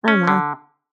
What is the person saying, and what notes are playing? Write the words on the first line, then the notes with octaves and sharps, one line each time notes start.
Oh, my.
C#4
D3